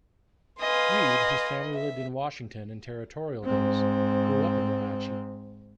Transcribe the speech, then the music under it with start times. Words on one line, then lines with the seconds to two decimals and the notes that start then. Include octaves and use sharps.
Reed, whose family lived in Washington in territorial days, grew up in Wenatchee.
0.60 B4 D#5 F5 G#5 C6
1.75 E5
3.44 G#2 C4